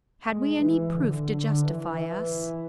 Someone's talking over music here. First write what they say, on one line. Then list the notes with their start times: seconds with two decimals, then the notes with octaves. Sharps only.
Had we any proof to justify us?
0.26 G#3
0.61 E3
0.96 D3
1.33 D3
1.68 E3